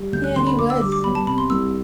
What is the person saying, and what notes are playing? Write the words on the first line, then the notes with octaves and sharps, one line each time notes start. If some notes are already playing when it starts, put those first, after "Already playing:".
Yeah, he was, and
Already playing: G3
D2 G6
F#6
D3 C6
B5
D2 D6
E6
G3 D6
D6
B3 B5
A5
C3 B5
C6
C2 E6